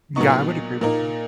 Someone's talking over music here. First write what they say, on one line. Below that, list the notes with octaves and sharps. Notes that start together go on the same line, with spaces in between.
Yeah, I would agree with that.
A#2 F#3 B3 D#4 C#6
A#2 A#3 D#4